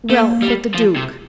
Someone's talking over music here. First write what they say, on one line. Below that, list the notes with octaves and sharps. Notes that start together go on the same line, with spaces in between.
"Well, but the duke?"
A3 A#3
G3
F3
C3